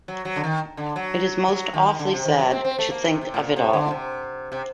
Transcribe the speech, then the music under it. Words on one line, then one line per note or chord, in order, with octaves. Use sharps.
It is most awfully sad to think of it all.
F#3
F#3
D3
D#3
D3
F#3
F#3
D#3
D3
C3
D#3
F#3
C4
C4
A3
A#3
C3
C3
A2
A#2
C3
D3
C3
C3